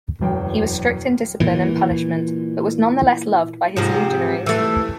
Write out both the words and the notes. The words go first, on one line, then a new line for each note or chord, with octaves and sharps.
He was strict in discipline and punishment but was nonetheless loved by his legionaries.
E1 F#2 G5
A#2 E3
G#2 C3 F3
E3 A3